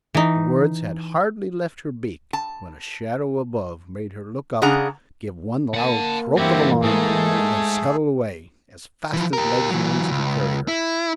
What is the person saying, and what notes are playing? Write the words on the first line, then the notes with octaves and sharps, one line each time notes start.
The words had hardly left her beak, when a shadow above made her look up, give one loud croak of alarm, and then scuttle away, as fast as legs and wings could carry her.
E3 D#4
A5
C#3 D4 G#4 F#5 A#5
A#3 F#5 A5
G2 E3 C4 E4 F#4 G4
G#2 A3 G#4 A4
E3 F3
G4 A#4
E3 F#3
C#2
E4